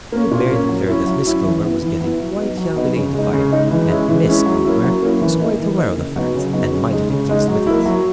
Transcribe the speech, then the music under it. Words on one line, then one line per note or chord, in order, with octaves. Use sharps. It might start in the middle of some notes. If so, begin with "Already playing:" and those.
Old Mary declared that Miss Clover was getting quite young-ladyfied, and "Miss Clover" was quite aware of the fact, and mightily pleased with it.
A#3 C#4
A#2
A#3 C#4
F#3
C#4 E4
F#3
C#4 E4
E3
B3 E4
E3
B3 E4
F#3
B3 D#4
F#3
B3 D#4
C#3
G#3 D#4
C#3
G#3 D#4
E3
G#3 C#4 E4
E3
G#3 C#4 E4
F#3
A#3 C#4 E4
F#3
A#3 C#4 E4
E3
A#3 D#4
E3
A#3 D#4
C#3
F#3 B3 D#4
C#3
F#3 B3 D#4
C#3
G#3 D#4
C#3
G#3 D#4
F#3
A#3 E4
F#3